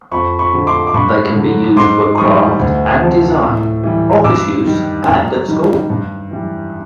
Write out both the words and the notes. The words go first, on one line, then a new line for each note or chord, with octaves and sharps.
They can be used for craft and design, office use and at school.
F2 B5 C#6
B5 C#6
D3 F3
C6 D6
D6
G2 B5 C#6
D3 F#3
G#2 C6 D6
E3 G3 C#6 D#6
D2
C3 F3
A2
E3 G3
G2 D6 E6
D#3 G3
F#2
D#3 G3
G2
E3 G3